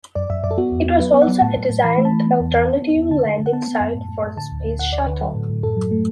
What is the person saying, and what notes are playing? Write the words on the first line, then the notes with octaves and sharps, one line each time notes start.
It was also a designated alternative landing site for the Space Shuttle.
F#2 D5
F#2 E5
F#2 D5
A4
B3 F#4
E2
B3
F#3 B4
B3
F#5
F#3
A2 A5
A2
A2
E3 B5
A3
A5
E3
B3
E2
E2
B3
B3
E2
D3 A5
D3
D3
F#5
B3 A5
B3
F#2
A2
A2
A2
D3 A5
D2
D3
D2 F#5
D2 D5
D3 B4
F#3 A4
A2
A2
F#2 A4
F#3
A3